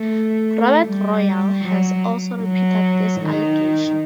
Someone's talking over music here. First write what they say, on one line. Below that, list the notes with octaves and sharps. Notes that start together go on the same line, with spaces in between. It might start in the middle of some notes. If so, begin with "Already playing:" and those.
Robert Royal has also repeated this allegation.
Already playing: A3
G3
F#3
F#3
D#3